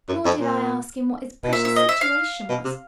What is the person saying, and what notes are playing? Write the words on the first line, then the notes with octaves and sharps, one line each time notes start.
Nor did I ask him what his precious situation was.
F#2
F2
A#2
B2
A#2 E5
E5
D#5
E5
F5
B2
C3